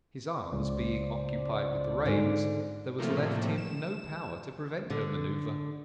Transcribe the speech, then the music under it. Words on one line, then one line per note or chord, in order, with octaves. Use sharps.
His arms being occupied with the reins there was left him no power to prevent her manoeuvre.
C#2 F4 C5 D5
G#2 D3
A2 C3 F3 A3 A#3
E7
D3